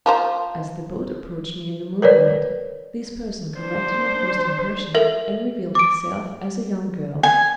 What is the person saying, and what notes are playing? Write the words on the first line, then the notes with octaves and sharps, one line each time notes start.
As the boat approached me in the moonlight, this person corrected my first impression, and revealed herself as a young girl.
F3 A#4 C5
A#4 B4 C#5 D5
D4 C5
A4 A#4 E5
D6 D7
G#5